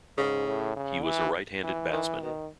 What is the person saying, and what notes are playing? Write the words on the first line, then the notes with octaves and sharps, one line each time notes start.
He was a right-handed batsman.
G#2 C#3
A2
C#3
E3
E3
D#3 E3
B2 D#3